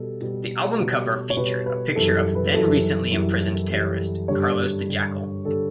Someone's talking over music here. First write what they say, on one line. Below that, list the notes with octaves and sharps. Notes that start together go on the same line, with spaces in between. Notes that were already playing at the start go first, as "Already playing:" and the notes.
The album cover featured a picture of then-recently imprisoned terrorist Carlos The Jackal.
Already playing: B2 G3 A4
B2 G3
B2 G3
C#5
B2 G3 B4
B4
F#2 E3 G3 A4
B4
F#2 E3 G3 A4
F#2 E3 G3
F#2 E3 G3
G2 D3 G3 C#5
G2 D3 G3
D3 G3 A4